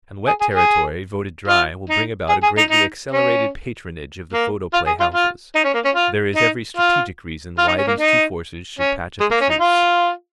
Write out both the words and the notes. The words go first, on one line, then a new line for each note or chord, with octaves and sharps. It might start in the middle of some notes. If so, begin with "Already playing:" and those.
And wet territory voted dry will bring about a greatly accelerated patronage of the photoplay houses. There is every strategic reason why these two forces should patch up a truce.
G#4
G#4
G#4
F4
D#4
G#4
G#4
D#4
D#4
C#4
A#3
F4
G#4
F4
F4
D#4
C#4
A#3
C#4
F4
D#4
F4
F4
D#4
C#4
A#3
D#4
C#4
G#3
A#3
C#4
D#4
F4